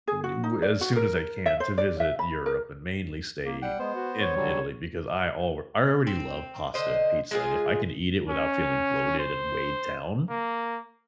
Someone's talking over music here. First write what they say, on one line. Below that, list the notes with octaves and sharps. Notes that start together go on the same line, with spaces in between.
d we're as soon as I can, to visit Europe and mainly stay in Italy because I alr I already love pasta and pizza, and, if I can eat it without feeling bloated and weighed down,
G#4
F#4
D#4
D5
F#4
A#4
E5
C5
D5
E5
B5
A#4
A#3
G3 F#5 G5
G#3 B3 C5
F#4
C#5
D3 F#3 G3
C4
D3 C5 D#5
G#3 F4 G#4
C#4
C5
A#3